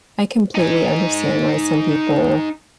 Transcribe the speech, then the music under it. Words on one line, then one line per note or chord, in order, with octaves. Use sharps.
I completely understand why some people,
D#4 G#5